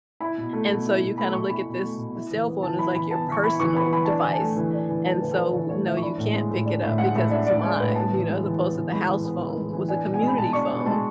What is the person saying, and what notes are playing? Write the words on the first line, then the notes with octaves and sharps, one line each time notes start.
And so, you kind of look at this the cell phone as like your personal device, and so, w no, you can't pick it up because it's mine, you know, as opposed to the house phone was a community phone.
E4 B5
B2
A3
B2
E4
B2
A3 B5
B2 C#6
E4 B5
B2
A3
B2
E4
E3
B3
E3 A5
E4 B5
E3 B5
B3 A5
E3
C#6
E4 B5
E3 C#6
B3 B5
E3 B5
D4 A5
E3 G#5
A5
A3
E3
D4
E3
A3 A5
E3 B4
A4
D4 B4
E3 C#5
A3 C#5
E3 E5
C#6
D4 B5
A2
G#3
A2
D4
A2 E5
G#3 F#5
A2 E5
D4 E5
A2 D5
G#3 C#5
A2 B4
B3 A5
E3
G#3
E3
B3
E3
G#3 B5
E3
B3
E3
G#3
E3
D4 G#5
B2
G#5
G#3
B5
B2 A5
D4 C#6
B2
G#3 A5